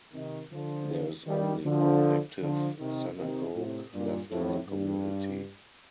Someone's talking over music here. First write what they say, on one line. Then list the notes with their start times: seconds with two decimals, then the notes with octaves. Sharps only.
There is only one active synagogue left in the community.
0.13 C3 D#3
0.51 D3 F3
1.27 D#3 G3
1.65 D3 F3
2.41 D3 F3
2.79 C3 D#3
3.17 C3 D#3
3.54 A2 C3
3.93 G2 A#2
4.30 F2 A2
4.68 G2